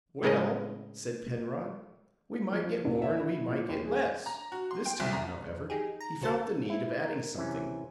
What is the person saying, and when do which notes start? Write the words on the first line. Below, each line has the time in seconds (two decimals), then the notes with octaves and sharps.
"Well," said Penrod, "we might get more and we might get less." This time, however, he felt the need of adding something.
0.23 A2 C#3 G#3 A#4 B4 D#5
2.52 F3
2.85 D#1
3.02 E5
3.20 E4
3.48 A#2
3.69 D#2
3.86 G#4
4.26 A#5
4.52 F#4
4.71 C6
4.85 G5
5.00 C2
5.13 A#5
5.49 F2
5.70 D#4 G4 G#4
6.00 A#5
6.21 B1 C#3 F#4 C5 A5 A6
6.69 E4
7.04 A#4
7.37 C3 E3 C#4